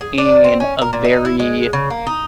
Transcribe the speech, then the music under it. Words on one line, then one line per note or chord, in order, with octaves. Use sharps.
in a very
G#4
D4
C4
C#4
A#4
A#2
D#4
E4
G#3
C#3
A#3
D#4